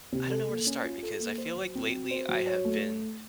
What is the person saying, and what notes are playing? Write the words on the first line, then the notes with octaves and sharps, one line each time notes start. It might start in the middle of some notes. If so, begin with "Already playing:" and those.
I don't know where to start because I feel like lately, I have been
C3
A4
A#3
C#4
F4
A4
A#3
C5
F#3
C4
F#4
C5
F#3
C#5
A3